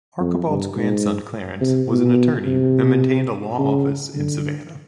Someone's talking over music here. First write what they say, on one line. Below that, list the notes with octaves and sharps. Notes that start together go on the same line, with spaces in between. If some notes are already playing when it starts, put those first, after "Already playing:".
Archibald's grandson, Clarance, was an attorney and maintained a law office in Savannah.
F2
G2
G#2
C3
B2
C3
C#3
D3